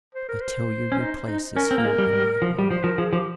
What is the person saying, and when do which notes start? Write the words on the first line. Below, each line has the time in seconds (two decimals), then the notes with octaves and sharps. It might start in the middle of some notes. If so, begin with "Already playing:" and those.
I tell you, your place is here in my home.
0.15 C5
0.29 A#4
0.42 C5
0.92 C#4
1.00 D#4
1.28 D#4
1.56 C#4 A#4
1.71 C4
1.78 A#3
1.85 G#3
1.98 G3
2.13 G3
2.42 F3
2.59 G3
2.69 F3 C5
2.84 F3 A#4
2.98 F3 G#4
3.13 F3 G4